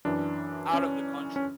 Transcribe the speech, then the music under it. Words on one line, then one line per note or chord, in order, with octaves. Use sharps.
out of the country.
F#2 E3 D4
C#4
C#4